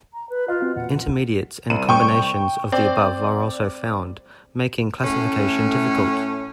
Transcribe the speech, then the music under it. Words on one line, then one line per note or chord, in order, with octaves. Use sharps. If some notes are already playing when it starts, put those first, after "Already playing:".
Intermediates and combinations of the above are also found, making classification difficult.
A#5
B4
F4 D#5 F5
C4 F#4
E2 A#2 F#5
C2 D#7
G5 C#6
C4 D5
A2 A3 C#4